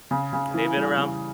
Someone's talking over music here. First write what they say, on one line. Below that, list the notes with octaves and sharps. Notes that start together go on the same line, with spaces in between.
And they've been around
C#3
C#3
E3
G3
C#3